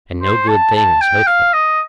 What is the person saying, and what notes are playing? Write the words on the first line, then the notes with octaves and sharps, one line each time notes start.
And no good thing is hurtful?
C5
A5
A5
G5
F5
D#5